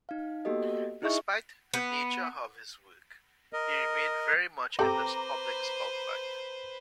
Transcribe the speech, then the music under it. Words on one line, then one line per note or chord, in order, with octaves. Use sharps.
Despite the nature of his work, he remained very much in the public spotlight.
D#4 F5
A#3 B3 F#4 G4 A4 D#5
D#4 E4 G#4 D#5 E5 C#6
B3
A#4 D#5
C4 G4 A4 B4 C5 A#5 D6